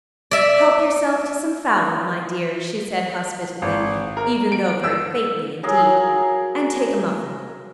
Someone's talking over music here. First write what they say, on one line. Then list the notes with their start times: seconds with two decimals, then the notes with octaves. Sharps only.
"Help yourself to some fowl, my dear," she said hospitably, even though very faintly indeed, "and take a muffin."
0.31 D5 E5
3.62 G#1
4.17 A#4
4.52 D7
4.84 E6
5.63 F#3 G#4 A#4 F5